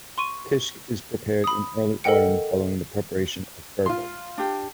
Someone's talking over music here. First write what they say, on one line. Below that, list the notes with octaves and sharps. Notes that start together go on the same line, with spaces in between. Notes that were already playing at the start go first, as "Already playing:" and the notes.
Kishk is prepared in early autumn following the preparation of burghul.
C6 C#6 D#7
B5 D#6
A4 A#4 D#5 F#5 G5 C#7
F4 C6
D4 G4